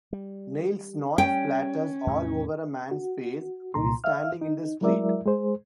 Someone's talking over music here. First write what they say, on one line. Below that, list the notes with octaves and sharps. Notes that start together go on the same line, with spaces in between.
Neil's snot splatters all over a man's face who is standing in the street.
G3
G3 C#4 G5
E2 A2 C3
F#4
C2 A#2 A#5 C6
E5 F5 F6
D#4
F#3 G#3 E4 A#4 D5 E5
G#3 G#4 C5